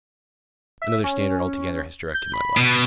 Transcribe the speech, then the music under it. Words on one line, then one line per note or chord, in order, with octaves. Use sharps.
Another standard altogether has directed my life....
E5
C#4
G6
B5
B2